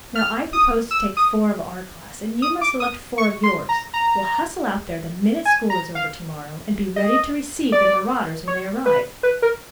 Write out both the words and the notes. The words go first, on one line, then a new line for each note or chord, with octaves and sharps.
Now I propose to take four of our class, and you must select four of yours. We'll hustle out there the minute school is over to-morrow, and be ready to receive the marauders when they arrive.
F6
D#6
E6
D#6
D#6
D6
D#6
C#6
C6
A#5
A#5
G#5
A#5
F5
D#5
D5
C#5
B4
B4
A#4